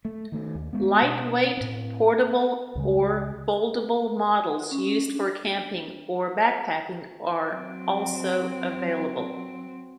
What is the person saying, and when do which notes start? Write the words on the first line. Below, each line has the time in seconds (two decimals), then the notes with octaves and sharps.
Lightweight portable or foldable models used for camping or back-packing are also available.
0.05 A3
0.32 D#3 A3
0.55 D#2
0.73 G#3 B3
1.02 B2
1.57 A2 C4
2.75 C#2 C#3 G#3
4.72 C#4
5.08 D4
7.50 F#3 C4